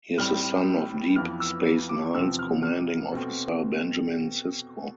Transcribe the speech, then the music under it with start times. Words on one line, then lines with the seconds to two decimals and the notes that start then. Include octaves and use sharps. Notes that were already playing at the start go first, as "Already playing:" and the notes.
He is the son of Deep Space Nine's commanding officer, Benjamin Sisko.
0.18 A2 G3 C4 F6
1.16 F2 E3 B3 F6
1.40 E6
1.89 D6
2.14 E2 C3 F3 C4 E6
2.39 F6
2.63 F6
3.12 B2 A3 C4